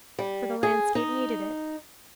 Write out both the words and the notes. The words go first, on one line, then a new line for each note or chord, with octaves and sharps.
For the landscape needed it.
G3
G#4
D#4